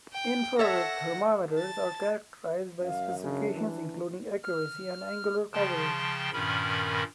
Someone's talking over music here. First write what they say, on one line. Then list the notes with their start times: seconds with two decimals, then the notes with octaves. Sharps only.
Infrared thermometers are characterised by specifications including accuracy and angular coverage.
0.13 G5
0.59 A4 C#5 E5 F#5 A#6
1.53 A5 A6
2.82 F#2 F5
3.24 C#3 D4
3.56 E3
4.43 F6
5.53 C#3 F3 G5 A5 C6
6.33 G2 A#2 D#3 C#4 A#4 B5